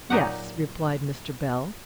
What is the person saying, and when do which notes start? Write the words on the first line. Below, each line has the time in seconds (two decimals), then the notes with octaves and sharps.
'Yes,' replied Mr. Bell.
0.10 A#2 F#3 D#4 G4 F#5